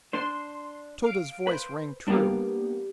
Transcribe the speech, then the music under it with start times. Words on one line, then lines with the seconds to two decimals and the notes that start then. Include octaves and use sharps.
Tode's voice rang true.
0.13 D4 C5 C6
1.04 F5 D7
1.47 B4 C5
2.08 G3 A#3 B3 D4 G4 F5